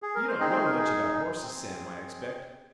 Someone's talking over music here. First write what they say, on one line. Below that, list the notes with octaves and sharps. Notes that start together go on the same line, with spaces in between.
You don't know much about horses, Sam, I expect.
G#4
A#4
C5
C4 D#4 G#4 D#5
C4 C5
A#4
G#4
C4 G#4